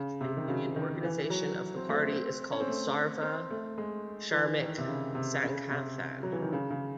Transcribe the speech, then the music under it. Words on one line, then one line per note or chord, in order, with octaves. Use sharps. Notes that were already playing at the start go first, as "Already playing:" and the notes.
The trade union organization of the party is called Sarva Shramik Sanghathan.
Already playing: C#3
C3
D#3
C#3
D#3
E3
E3
F#3
C4
A3
C4
C4
C#4
C4
A3
C4
A3
G#3
E3
D#3
C3
C#3
C3
C#3
C3
F#3
E3
D#3
C#3
C#3